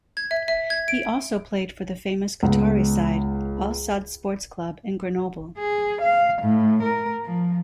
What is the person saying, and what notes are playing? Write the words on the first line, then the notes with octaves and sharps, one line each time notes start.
He also played for the famous Qatari side, Al-Sadd Sports Club and Grenoble.
G#6
E5
E5
G#6
D7
C#2 B3
G#4
F5
A2
A#4
F3